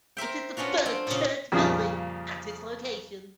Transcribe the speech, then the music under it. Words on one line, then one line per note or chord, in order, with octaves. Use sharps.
It is the third church building at this location.
A#4 C5 E5 G5
B3 C#4 D4 F4 F#4
C4
A#2 C#3
F2 A#2 C#3 F3 G3 G#4